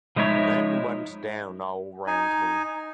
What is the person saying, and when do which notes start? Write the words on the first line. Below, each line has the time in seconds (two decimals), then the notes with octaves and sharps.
Men went down all round me.
0.16 F3 G#3 D#4 E4 C#5
2.07 D#4 G#5